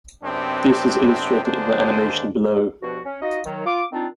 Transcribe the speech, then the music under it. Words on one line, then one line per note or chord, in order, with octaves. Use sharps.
This is illustrated in the animation below.
F#2 C3 B3 C4 D4
D#2 D3 G#3 D4 C5
G2 B2 F3 F#4
C#4
D#4 F4 F#4 D#5
D#3 F#3
F4 D6
A#2 D#3 C4 D4 D#4 F4